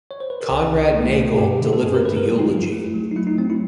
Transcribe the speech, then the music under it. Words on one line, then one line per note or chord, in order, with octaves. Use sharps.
Conrad Nagel delivered the eulogy.
C#5
C5
B4
A#4
C2 A4
C2
A3
B2
G2 G4
D3
A4
G2 G#4
A#4
G2 B4
A#4
F#3 A4
D#4
F2 F4
A3 E4
F#3
D#4
A3 E4
D#4
F#3 C4
E4